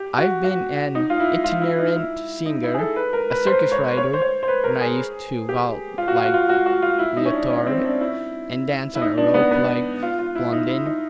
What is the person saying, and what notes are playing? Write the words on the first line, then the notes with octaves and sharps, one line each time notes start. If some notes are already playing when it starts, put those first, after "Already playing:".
I've been an itinerant singer, a circus-rider, when I used to vault like Leotard, and dance on a rope like Blondin.
Already playing: G4
F#4
F#4
D#4
F4
E4
F4
E4
D#4
E4
D#4
E4
G#4
A4
B4
A#4
B4
C5
C#5
C#5
C5
C#5
C5
B4
A#4
G#4
G4
F4
F#4
F4
F#4
F4
F#4
F#4
F4
E4
D#4
C#4
D4
C#4
C4
D4
E4
E4
D#4
D4
B3
B3
F4
F4
E4
D#4
E4
D#4